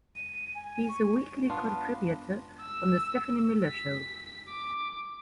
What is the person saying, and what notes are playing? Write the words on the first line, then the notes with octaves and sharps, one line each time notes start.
He is a weekly contributor on "The Stephanie Miller Show".
D#7
G#5
C#6
B3 D4 F4
E6
B6
D6